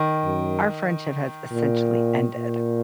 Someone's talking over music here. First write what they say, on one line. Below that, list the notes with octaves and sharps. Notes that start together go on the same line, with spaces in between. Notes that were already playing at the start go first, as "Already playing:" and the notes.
our friendship has essentially ended,
Already playing: D#3
F#2
A#2
A#2